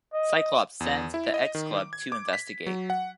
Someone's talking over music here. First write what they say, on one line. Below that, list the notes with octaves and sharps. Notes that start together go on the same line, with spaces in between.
Cyclops sends the X-Club to investigate.
D#5
E2
E4
D#5
D#3
D6
G#6
D6
B6
F#3
F#5